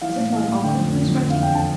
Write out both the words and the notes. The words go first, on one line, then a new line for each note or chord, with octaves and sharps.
"Is it my uncle who is writing?"
E3 F5
A2
E3 F5
A2
D3 G5
F2
D3
F2
D3
F5
E2 G5
D3 A5